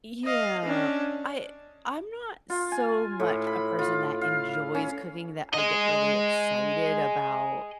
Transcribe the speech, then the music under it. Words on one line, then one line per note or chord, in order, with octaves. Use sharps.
Yeah. I I'm not so much a person that enjoys cooking that I get really excited about,
D#5 F5
C#4 D4
F4
G#5
A2
B5
F4
F5
C#4
G#4 D#5